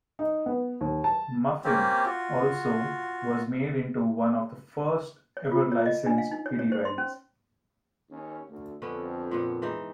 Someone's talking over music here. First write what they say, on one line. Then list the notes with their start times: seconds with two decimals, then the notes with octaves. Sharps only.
Muffin also was made into one of the first ever licensed kiddie rides.
0.19 D#4
0.46 B3
0.81 D#2
1.04 A5
1.64 A#3 C4 C#4 G4
2.06 F4 F#4
5.37 C#5
5.52 F4
5.72 C#5
5.86 D#5
6.06 D4
6.18 F5
6.31 D#4
6.46 C#5
6.59 C#5
6.72 C5
6.85 C6
6.98 C#4
8.10 D#2 C#4
8.50 D2
8.82 F2 D3 B3 C#4
9.31 A#2 B3 F#5
9.62 G#2 E3 D#4